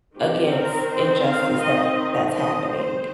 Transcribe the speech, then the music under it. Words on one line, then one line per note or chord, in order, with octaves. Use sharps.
against injustice that that's happening?
D#3 C4 G4
A#4
C5
F5
D#5
D#5
C5